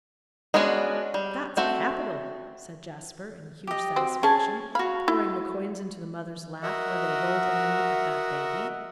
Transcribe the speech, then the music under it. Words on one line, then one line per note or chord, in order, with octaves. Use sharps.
"That's capital," said Jasper, in huge satisfaction, pouring the coins into the mother's lap, where they rolled underneath the fat baby.
G#3 B3 C#4 D4 F#4
G3
A3 C4 F#4
G4 D#5
C4 F#4
C#4 G#4 G#5 A5
F#4 F5 B5
E4
F#4 A#4 D#5 E5 F#5